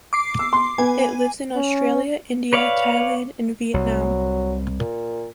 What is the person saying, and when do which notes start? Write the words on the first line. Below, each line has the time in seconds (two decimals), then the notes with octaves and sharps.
It lives in Australasia, India, Thailand and Vietnam.
0.13 D6 C7
0.39 E6
0.53 C6
0.78 B3 G#5
1.56 C#4
2.53 B4 C#5 D5 F5
3.74 C2 F#3
4.80 A#2